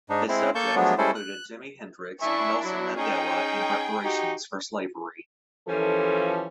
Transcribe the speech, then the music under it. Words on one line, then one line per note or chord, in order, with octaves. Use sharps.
His subjects included Jimi Hendrix, Nelson Mandela, and reparations for slavery.
G#2 D4 D#4
G#3 C4 E4
A#3 A4 A5 C#6 G6
F3 F#3 G#3 A3 B3 D4
G3 G#3 C#4 E4 A4 C5
F#6
D4 E4 E5 G#5 C#6
F#3
C#4 D#4 G#4 G5
D#4 F#4 G4
E3 F3 G3 A#3 C#4 A4